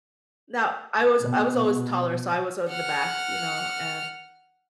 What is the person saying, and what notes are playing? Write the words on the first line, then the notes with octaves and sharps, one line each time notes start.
Now, I was I was always taller, so I was on the back, you know, and
B2
F#5 F6